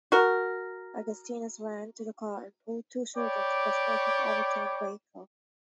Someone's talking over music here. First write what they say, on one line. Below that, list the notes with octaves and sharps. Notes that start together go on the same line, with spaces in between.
Augustinus ran to the car and pulled two children from the smoking, overturned vehicle.
F#4 A#4
C#5 D5 G5 B5 D6